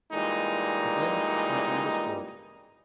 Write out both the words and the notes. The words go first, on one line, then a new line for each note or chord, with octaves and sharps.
At length I understood.
A#2 E3 G3 G#3 D#4